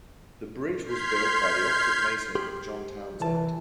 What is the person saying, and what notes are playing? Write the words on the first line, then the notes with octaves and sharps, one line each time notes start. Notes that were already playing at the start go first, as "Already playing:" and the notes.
The bridge was built by the Oxford mason John Townesend.
C6 F6 G6 G#6 B6 C7
G4 G#4 C6
C2 E3 A5